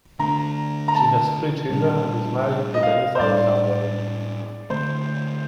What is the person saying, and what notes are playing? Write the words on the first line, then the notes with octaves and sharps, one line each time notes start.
She has three children and is married to Dennis Alexander.
D3 A3 D4 A#5
A#5
A5
A#2 G3 A#3 D4
D#5
F5
C5
A2 G3 D4 D5
D3 A3 C4 C5